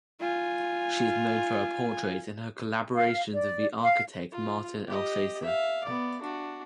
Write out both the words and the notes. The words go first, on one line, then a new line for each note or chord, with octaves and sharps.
She is known for her portraits and her collaborations with the architect Martin Elsaesser.
F4 G#5
F5
D5
F5
F4
G4 D#5
E5 F5
B3 D5
D4 F#4